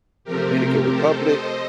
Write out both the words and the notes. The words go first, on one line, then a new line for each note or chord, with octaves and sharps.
Dominican Republic,
C3 F3 A3 C4 G4 A#4
A4 C5
C5 D#5